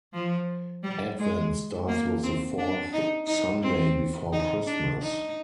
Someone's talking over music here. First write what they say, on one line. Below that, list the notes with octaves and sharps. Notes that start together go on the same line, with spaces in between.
Advent starts with the fourth Sunday before Christmas.
F3
G3
G#3
A#3
C4
D4
D#4
D#4
C4
D#4
D4
D#4